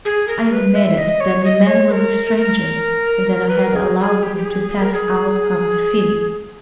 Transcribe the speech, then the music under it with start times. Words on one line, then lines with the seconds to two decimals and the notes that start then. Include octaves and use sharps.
I admitted that the man was a stranger, and that I had allowed him to pass out of the city.
0.05 G#4
0.28 A#4
0.52 B4
0.75 E5
0.98 D#5
1.21 C#5
1.45 D#5
1.67 C#5
1.91 A#4
2.37 A#4
3.50 B4
3.64 A#4
3.76 G#4
4.00 G#4
4.23 G4
4.37 G4
4.45 G#4
4.69 G#4
4.81 A#4
4.93 G#4